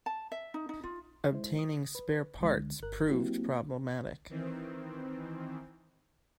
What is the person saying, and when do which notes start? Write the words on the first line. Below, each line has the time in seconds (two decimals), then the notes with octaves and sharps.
Obtaining spare parts proved problematic.
0.06 A5
0.32 E5
0.54 D#4
0.69 D#4
0.83 F4
1.32 G#3 E4 C5
1.59 D#6
1.95 B4
2.39 C#2 D3 G#3
2.83 G1 A#4 F#6
3.09 F#3 A#3 C4 E4 F#4 G4
4.29 D#3 E3 C4